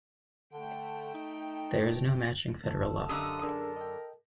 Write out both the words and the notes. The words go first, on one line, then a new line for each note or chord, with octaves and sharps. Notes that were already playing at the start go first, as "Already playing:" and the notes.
There is no matching Federal law.
D3 A3 G5
D#4
D#2 A4
F#2 D3 G4 D#5 F5 D#6
D4 G#4 A#4
D#5 G5